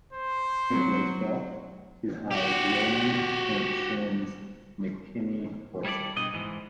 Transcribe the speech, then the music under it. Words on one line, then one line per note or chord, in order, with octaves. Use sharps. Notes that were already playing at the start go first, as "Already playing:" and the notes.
It was built to house William Simpson's "McKinney" horses.
C5
F#3 C4
F#4 G4
G3 E4 A4 C#5 D5
G2 B2 D#5
G#2 E3